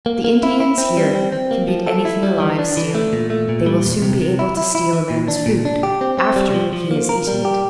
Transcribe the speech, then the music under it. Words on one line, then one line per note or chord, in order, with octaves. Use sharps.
The Indians here can beat anything alive stealing. They will soon be able to steal a man's food after he has eaten it.
A#3
A#3
E4
E4
C4
G3
C4
C4
A#3
F3
A4
E4
G3
E3
D4
E3
A3
A#2
A3
A#2
G3
E2
C3
C3
E4
E4
E4
E3
A#2
D4
A#2
D4
G4
C4
C4
G3
F3
F3
A#3
A#4
G3
G4